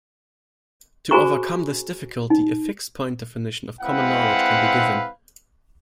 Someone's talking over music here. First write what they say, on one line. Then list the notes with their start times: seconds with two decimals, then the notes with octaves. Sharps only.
To overcome this difficulty, a "fixed-point" definition of common knowledge can be given.
1.11 F#4 G#4 C5 G#5 A#5 C#6
2.30 D#4
3.82 G#3 C4 E4 B4 F5 F#5